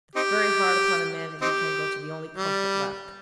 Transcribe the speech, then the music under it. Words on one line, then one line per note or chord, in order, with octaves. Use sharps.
It's very hard upon a man that he can't go to the only comfort left.'
C4 D#4 G4
C4 D#4 G4
G3